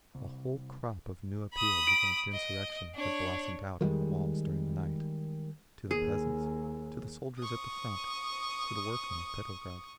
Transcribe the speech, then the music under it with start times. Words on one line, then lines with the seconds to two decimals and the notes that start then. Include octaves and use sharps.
A whole crop of new appeals against insurrection had blossomed out on the walls during the night--to the peasants, to the soldiers at the front, to the workmen of Petrograd.
0.15 C2
1.53 B5 D#6
1.87 D7
2.33 D#5
2.94 D4 C#5
3.81 D#3 F3 G3 G#3
5.91 D#2 G#4
7.39 C#6 D#6